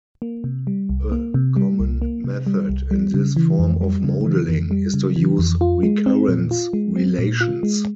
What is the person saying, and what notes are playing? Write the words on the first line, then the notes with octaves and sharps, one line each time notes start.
A common method in this form of modelling is to use recurrence relations.
A#3
C3
G3
C2
A#3
C3
G3
C2
A#3
C3
G3
C2
G3
C#3
E3
F2
G3
C#3
E3
F2
G3
C#3
E3
F2
F4
G#3
C4
A#2
F4
G#3
C4
A#2
F4
G#3